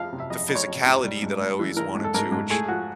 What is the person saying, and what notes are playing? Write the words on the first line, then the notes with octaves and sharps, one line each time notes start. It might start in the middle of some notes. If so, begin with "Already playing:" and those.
the physicality that I always wanted to- which,
Already playing: F2 F3 F5
C3
E5
F2 D#5
F2
C#5
F2
C3
G3
G#2
G3
E3
E3 A#4
G#2
A4
G#2 A#4
G#2
A3 G#4
F3 F#4